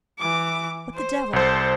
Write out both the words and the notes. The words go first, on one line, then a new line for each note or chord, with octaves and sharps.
What the devil!
E3 D6
C5
C2 A4 C5